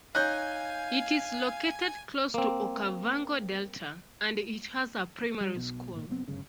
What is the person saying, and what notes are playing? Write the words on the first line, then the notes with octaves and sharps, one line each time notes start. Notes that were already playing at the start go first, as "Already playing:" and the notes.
It is located close to Okavango Delta and it has a primary school.
D#4 C#5 F5 G#5 F#6 G6
A#3 C4
G3
B1 B2
G#1 A#2
F1 F#2 B3 C4
G1 C#2 F#2 C#3